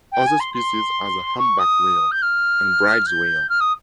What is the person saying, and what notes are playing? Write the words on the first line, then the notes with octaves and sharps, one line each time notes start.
Other species are the humpback whale and Bryde's whale.
G5
G#5
C6
C6
C#6
D#6
G6
F6
G6
F6
D#6